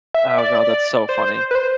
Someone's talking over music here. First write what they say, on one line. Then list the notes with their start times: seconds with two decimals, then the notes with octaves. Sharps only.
Oh god. That's so funny,
0.14 E5
0.38 D5
1.09 C5
1.51 B4
1.55 C5